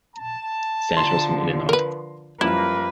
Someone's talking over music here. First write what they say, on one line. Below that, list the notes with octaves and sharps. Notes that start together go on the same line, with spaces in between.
Senators from Illinois.
A5
D3 F3 A#5 C6
A#4 B4
F#2 F3 G3 A#3 E4 B4